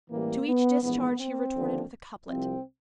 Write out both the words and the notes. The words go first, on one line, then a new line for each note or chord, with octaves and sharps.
To each discharge he retorted with a couplet.
A1 A2 E3 G3 A#3
B3
A#1 G#2 E3 B3
C4
D#2 D3 F3
C2 C3 F3 C4